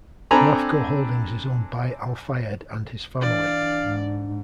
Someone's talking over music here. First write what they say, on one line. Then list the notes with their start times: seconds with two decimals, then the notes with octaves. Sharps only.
Mafco Holdings is owned by Al-Fayed and his family.
0.31 C4 D4 A4 G#5 A#5 B5
3.21 E3 D4 D5 F5
3.83 G#2